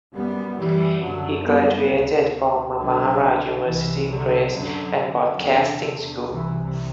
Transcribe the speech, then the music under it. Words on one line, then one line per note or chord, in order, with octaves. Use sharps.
He graduated from Marmara University Press and Broadcasting School.
F#2 G3 B3
E3 G3
F#2 D3 F#3
G3 B3
D2 C3
C2 B2 D3 F#3
D3
C2 C3 E3
D3 F#3
F#2 D3 F#3
D3
E2 C3
C2 C3 E3